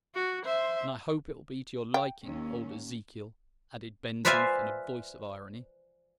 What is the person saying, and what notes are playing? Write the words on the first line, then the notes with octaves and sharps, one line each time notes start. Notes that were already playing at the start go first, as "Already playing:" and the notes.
"And I hope it will be to your liking, old Ezekiel!" added Ben Zoof in a voice of irony.
F#4
C5 E5
G5
D#2 C#4
B4 C5 D5 E5 F5 G#5